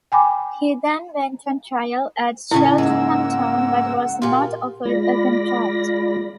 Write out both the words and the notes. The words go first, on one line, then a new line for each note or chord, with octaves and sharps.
He then went on trial at Cheltenham Town, but was not offered a contract.
G5 G#5 B5 D6
A2 C#3 C#4 D#4 E4
G#2 G#3 A#3 F#5 E6
A#2 F4 G4
G#3 F4 D5 B5 A#6